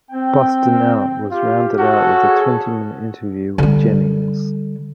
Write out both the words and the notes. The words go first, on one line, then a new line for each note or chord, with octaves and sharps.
"Bustin' Out" was rounded out with a twenty-minute interview with Jennings.
C4 G5
F4 G4
C#4 F#4 A4
G#4
D3 G3